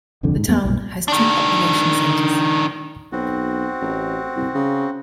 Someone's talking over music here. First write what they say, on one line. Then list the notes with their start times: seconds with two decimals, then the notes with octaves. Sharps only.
The town has two population centers.
0.23 D#1 C2 F2 D3
0.36 G#2
0.48 E2 G3 B3
0.64 B1 F#2 A#2
1.08 D#3 D4
3.12 B1 C4 F#4
3.82 A1
4.36 C2
4.55 C#3